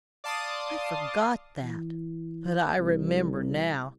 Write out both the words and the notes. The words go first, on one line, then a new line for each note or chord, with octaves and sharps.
I forgot that, but I remember now.'
D5 F5 A5 C6 D6 D#6
E3
C2